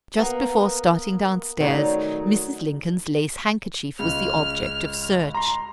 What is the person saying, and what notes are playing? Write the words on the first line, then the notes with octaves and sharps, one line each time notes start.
Just before starting downstairs, Mrs. Lincoln's lace handkerchief was the object of search.
A#3 B3 A#4
D#3 F#3 A3 D#4 G#4 D5
C#2 F6
A#5 C6